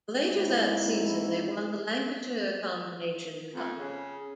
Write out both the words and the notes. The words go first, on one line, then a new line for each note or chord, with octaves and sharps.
Later that season they won the Lancashire Combination Cup.
G#2 C4 E4
F2
C#3